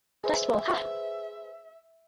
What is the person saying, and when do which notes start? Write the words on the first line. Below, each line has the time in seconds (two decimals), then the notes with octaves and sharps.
Dust Bowl Ha!
0.24 G#4 B4 C5 E5